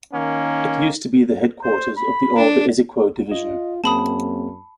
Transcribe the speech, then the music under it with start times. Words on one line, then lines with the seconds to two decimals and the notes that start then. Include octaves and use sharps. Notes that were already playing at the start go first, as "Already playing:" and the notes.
It used to be the headquarters of the old Ezzikwo Division.
0.12 D#3 A#3 C#4
1.63 C5
1.97 B5
2.37 D4
3.31 F4 D#5
3.84 F#2 A#3 C4 G#4 A5 B5 D#6